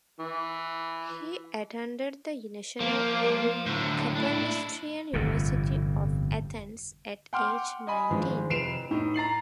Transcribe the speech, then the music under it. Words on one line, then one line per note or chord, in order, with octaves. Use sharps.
He attended the National and Kapodistrian University of Athens at age nineteen.
E3
F3 A#3
A2 D3 F#3
D4 E4
G1 F2 A2 C3
F#5 G5 C6 D6 F6
D#5 G#5 B5
G#1 E3 F3 G#3
F1 B4 C7 D7 E7 F7
A2 D#4
A#5 A6 C7 F#7